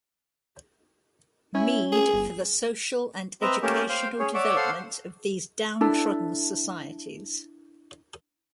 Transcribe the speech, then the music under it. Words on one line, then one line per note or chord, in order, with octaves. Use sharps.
Mead for the social and educational development of these downtrodden societies.
C#4 E4
G#4
G1
C4 B4 D#5 E5 A#5
A3 A#3 C#4 G4 A#4
C5 F5 G5
C#4 G#4 C#5
C#5 D5 E5 F#5 D6
A4 C5 F5 F#5 C6
D4 E4 A4